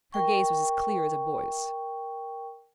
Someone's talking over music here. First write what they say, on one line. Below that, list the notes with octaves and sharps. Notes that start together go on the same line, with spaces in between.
Her gaze was as clear as a boy's.
A#4 G5 C#6